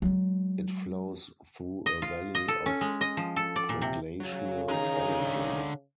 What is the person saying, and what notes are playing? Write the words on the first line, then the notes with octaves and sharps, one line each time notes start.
It flows through a valley of preglacial origin.
F#3 G#3
D#5
F4
D#5
A4
C#4
G#3
D#5
F3
A4
D5
A#2
C3
C#3 F#3
D3 D#3 D#4 G#4 A#5